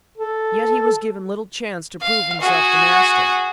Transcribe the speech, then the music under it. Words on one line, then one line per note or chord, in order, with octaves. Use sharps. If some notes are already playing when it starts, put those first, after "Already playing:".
Yet he was given little chance to prove himself the master.
A4
F5
F#4 G#4